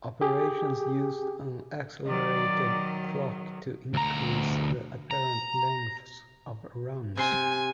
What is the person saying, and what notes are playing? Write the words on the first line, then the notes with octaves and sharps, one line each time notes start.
Operations used an accelerated clock to increase the apparent lengths of runs.
G4 G#4
D#3 F#3 D5
D2 A#5
A#5
C3 G#5 C6